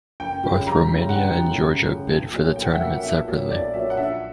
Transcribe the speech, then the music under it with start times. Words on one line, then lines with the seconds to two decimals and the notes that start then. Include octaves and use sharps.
Both Romania and Georgia bid for the tournament separately.
0.20 F#1 G5
0.44 F#2 C#3 G3
0.67 F#1 A#5
0.90 F#2 C#3 G3
1.09 F#5
1.14 F#1 G5
1.38 F#2 C#3 G3
1.61 F#1
1.85 F#2 C#3 G3
2.08 B1
2.33 A#2 F#3 A#3 C#4
2.56 B1 G5
2.64 F#5
2.73 E5
2.79 A#2 F#3 A#3 C#4 F#5
3.03 B1 E5
3.27 A#2 F#3 A#3 C#4
3.50 B1 D5
3.74 A#2 F#3 A#3 C#4 E5
3.90 F#5
3.97 A#1 E5